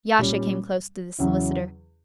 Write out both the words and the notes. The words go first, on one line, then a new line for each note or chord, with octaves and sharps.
Yasha came close to the solicitor.
A#2 G3 C#4
E2 C#3 F#3 C#4 E4